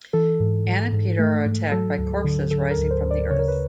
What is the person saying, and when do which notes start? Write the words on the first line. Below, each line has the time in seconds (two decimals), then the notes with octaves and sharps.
Anne and Peter are attacked by corpses rising from the earth.
0.13 E3 A4
0.40 G#2
0.66 G#2
0.93 G#2
1.19 A3
1.45 G#2
1.72 F#3 A4
1.98 D2
2.24 D3
2.51 D3 A4
2.71 A#4
2.77 D2
2.91 C5
3.04 D2
3.11 D5
3.30 C#3 C#5
3.39 A#4
3.48 B4